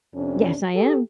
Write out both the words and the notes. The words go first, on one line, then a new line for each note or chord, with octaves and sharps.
Yes, I am.
F2 C3 C#4 D4
G4 A4